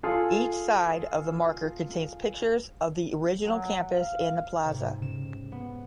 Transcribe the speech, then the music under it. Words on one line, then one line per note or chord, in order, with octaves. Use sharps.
Each side of the marker contains pictures of the original campus and the plaza.
F4 G#4 A4
F#3
F5
G#2 C3
C#3 E7
B3